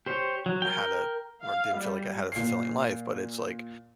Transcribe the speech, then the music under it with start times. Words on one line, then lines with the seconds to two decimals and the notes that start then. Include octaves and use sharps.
had a or didn't feel like I had a fulfilling life, but it's like,
0.06 G4 C5 C#5
0.46 F#3
0.62 A#4 G5
1.44 F5
1.76 G3
2.32 A#2 C7